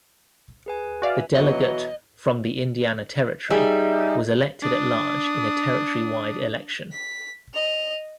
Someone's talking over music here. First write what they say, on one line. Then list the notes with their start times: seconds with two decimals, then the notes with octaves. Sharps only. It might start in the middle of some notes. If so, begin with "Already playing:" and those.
The delegate from the Indiana Territory was elected at large in a territory-wide election.
0.66 G#4 B4 G#5
1.02 F#4 B4 D5 E5 F5 G#5
1.35 B2 E3 F#3 D#5
3.50 G3 D#4 G#4 A4 E5
4.62 D4 D#6
6.92 B6
7.53 D#5 F7